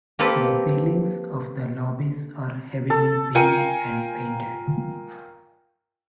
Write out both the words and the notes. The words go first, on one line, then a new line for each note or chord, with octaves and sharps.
The ceilings of the lobbies are heavily beamed and painted.
A#3 C4 G4 A4 B4
A4
F4 A#4 G5 G#5 C#7 D#7